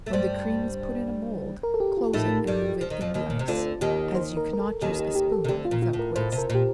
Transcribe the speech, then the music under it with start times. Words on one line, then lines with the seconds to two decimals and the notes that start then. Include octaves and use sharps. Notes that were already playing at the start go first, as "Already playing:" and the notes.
When the cream is put in a mould, close it and move it in the ice, as you cannot use a spoon without waste.
0.06 A3
0.13 G2 G3 C5
1.63 A#4
1.74 A4
1.80 G4
1.97 F4
2.13 A2 A3 D#4
2.47 G2 G3
2.81 F3
2.90 D#3
3.01 F2 F3
3.14 D#2 D#3
3.30 A#2
3.39 C3
3.48 D2 D3 F4
3.81 D#2 D#3 G4
4.15 C5
4.37 A#4
4.53 A#4
4.59 A4
4.81 D#2 D#3 G4
4.99 G4
5.15 G4
5.32 A4
5.44 C3
5.48 D2 D3 G4
5.65 F4
5.71 A#2
5.82 F4
5.93 A2
5.99 A#4
6.16 A2 C5
6.32 C3
6.38 A#4
6.50 A#2 G4